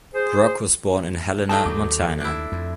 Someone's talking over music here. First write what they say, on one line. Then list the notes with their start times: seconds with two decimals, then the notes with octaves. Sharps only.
Brock was born in Helena, Montana.
0.14 G#4 C5
1.49 F#3 A3 D#4 A5
1.66 D#2 D6
2.21 D4 E4
2.52 F2